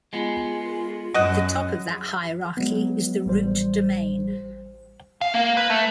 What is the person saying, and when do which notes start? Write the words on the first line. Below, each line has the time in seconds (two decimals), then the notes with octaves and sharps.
The top of that hierarchy is the root domain.
0.13 G#3 B3 F4
1.14 F#2 F#4 D#5 F#5
2.57 F#3 G#3 B3
3.26 A1 G3 C5
5.21 F5
5.34 A#3
5.57 B4
5.70 A3